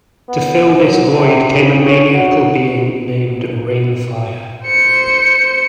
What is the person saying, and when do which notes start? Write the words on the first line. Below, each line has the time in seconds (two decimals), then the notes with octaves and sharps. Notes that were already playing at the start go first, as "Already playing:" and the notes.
To fill this void came a maniacal being named Reignfire.
0.29 B3
0.79 F#3
1.14 C3
1.50 C#3
1.84 C#5
2.13 F#4
4.65 C5 C#7